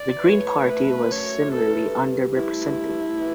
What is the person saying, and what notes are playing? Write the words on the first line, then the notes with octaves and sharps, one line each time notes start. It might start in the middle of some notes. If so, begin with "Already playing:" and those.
The Green Party was similarly under-represented.
Already playing: D5
E3
C#5
A3
A3 B4
F#2
C#5
F#2
E3 A4
G2
G2
A3 E4
G2
A3
B2